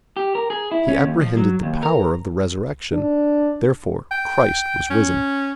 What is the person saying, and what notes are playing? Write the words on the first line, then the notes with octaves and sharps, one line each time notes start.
He apprehended the power of the Resurrection, therefore Christ was risen.
G4
A#4
G#4
E4
C#4
D#2
F3
F#3
D#2
A#4
D4
G5
C#4